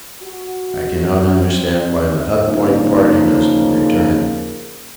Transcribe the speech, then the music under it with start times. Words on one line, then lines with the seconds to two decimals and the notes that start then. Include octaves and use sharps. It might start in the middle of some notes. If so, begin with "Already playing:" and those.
I cannot understand why the Hut Point party doesn't return.
0.23 F#4
1.36 C4
2.43 C#3 F3 A#3 D#4